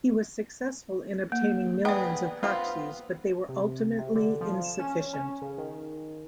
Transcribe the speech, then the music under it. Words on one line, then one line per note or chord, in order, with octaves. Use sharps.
He was successful in obtaining millions of proxies but they were ultimately insufficient.
A#3
B3 G#4 D5 G5
B3 C4 F4
C3
C3
D3
F3
E7
C#4
C#4
C#3
D#3